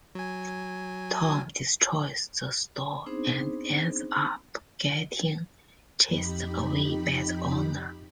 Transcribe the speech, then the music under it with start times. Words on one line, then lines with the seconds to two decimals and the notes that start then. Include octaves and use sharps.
Tom destroys the store and ends up getting chased away by the owner.
0.15 F#3 G#5
3.06 B3 C4 D4 D#4 G#4 C5
6.07 F2 D#4 G4 B5